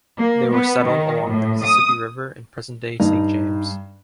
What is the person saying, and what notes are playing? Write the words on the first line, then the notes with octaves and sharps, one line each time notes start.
They were settled along the Mississippi River in present-day Saint James.
A#3
B3
D#3
A2
D#6
G2 D#4